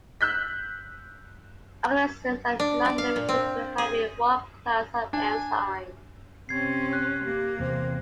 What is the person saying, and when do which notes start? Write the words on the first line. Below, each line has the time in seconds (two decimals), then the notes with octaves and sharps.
Organisms are not limited to having one class of enzymes.
0.21 E6 F#6 G6 B6
2.60 D4
2.85 D5
2.98 F5
3.16 A#2
3.29 C4
3.78 G#4
5.13 D4 G#5
6.49 C3 C4 C#4 G#6 C7
6.93 F#6
7.24 A#3 G4
7.59 E2 C3 C5